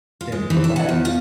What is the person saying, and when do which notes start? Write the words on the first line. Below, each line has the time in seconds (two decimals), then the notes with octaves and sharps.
then, "What the heck?"
0.21 F4
0.32 G#3
0.50 E3
0.64 E5
0.76 F#5
0.89 E2
1.05 F4